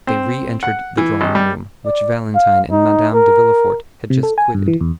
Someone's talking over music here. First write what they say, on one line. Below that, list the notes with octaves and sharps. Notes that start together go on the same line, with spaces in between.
They re-entered the drawing-room, which Valentine and Madame de Villefort had just quitted.
C4
F#5
E3
G#1
G3
D5
F5
D#4
A#4
C3
A4
G#5
G2
E3
E2